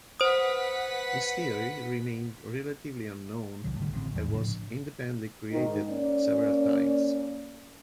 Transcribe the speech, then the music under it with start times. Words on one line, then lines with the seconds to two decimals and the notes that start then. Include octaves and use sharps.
His theory remained relatively unknown and was independently created several times.
0.20 B4 C5 F#5 D#6 B6
3.64 C2 D#3 F#3
3.80 A2 D3 G3 A3
3.93 A1 D3 G3 C4
4.15 E2 A2 E3
4.33 A2 C#3 F3 D4
5.52 G#2 D#3 D#4
5.89 A#3 C#4 D5